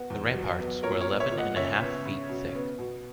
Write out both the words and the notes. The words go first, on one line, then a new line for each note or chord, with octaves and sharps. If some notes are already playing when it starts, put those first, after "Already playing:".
The ramparts were eleven and a half feet thick.
Already playing: B3 F#4
E2
F#3
B3
A#2 A#4 C#5
A#4 C#5
B3
C#5 E5
A#2
D#5 F#5
C#3 C#5 E5
B3
C#3
B2
B3
B2